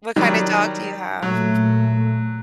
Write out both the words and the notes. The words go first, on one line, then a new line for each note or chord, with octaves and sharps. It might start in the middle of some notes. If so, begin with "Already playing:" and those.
What kinda dog do you have?
D#3 F#3 G3
A#2 F#3 A3